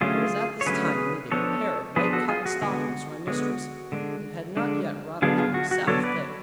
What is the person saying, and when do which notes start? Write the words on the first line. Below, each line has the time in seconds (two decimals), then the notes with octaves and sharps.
I was at this time knitting a pair of white cotton stockings for my mistress; and had not yet wrought upon a Sabbath day.
0.01 D3 F#3 A3 C#4 F4 G#4
0.61 C#5
0.66 D3 F#3 A3 C#4 G#4 B4
1.32 F3 B3 D4 A4 C#5
1.96 F3 B3 D4 G#4 B4
2.13 F#4 A4
2.29 F4 G#4
2.46 F#4
2.62 D3 G#3 B3 F#4
3.27 D3 G#3 B3 F#4
3.92 D3 G#3 D4
4.56 D3 G#3 D4
5.22 D3 F#3 B3 D4 F4 G#4
5.38 F4 G#4
5.54 F#4
5.71 F#4
5.87 D3 F#3 B3 D4 A4 C#5
6.03 B4 D5